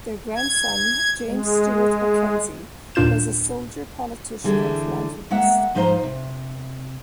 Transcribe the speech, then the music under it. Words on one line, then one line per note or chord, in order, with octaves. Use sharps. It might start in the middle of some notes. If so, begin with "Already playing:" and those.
Their grandson James Stewart-Mackenzie was a soldier, politician and philanthropist.
G#6
G#3
D#2 A#2 D4 F4 G6 E7
D3 E3 G3 G#4
G#3 A#3 E5 F#5
G#2 F3 D#4 C5 F5 A#5
C3